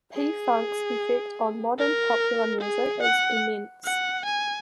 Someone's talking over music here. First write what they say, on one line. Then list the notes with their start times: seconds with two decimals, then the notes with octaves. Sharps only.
P-Funk's effect on modern popular music is immense.
0.13 G#4
1.79 A#4
2.61 G#4
3.02 F#5
3.85 F#5
4.25 G#5